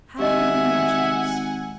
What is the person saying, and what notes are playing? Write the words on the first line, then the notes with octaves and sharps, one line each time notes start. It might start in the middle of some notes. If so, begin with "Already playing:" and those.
Had he been watching us?
G#1 G4 D#5 E5 F#5 G#5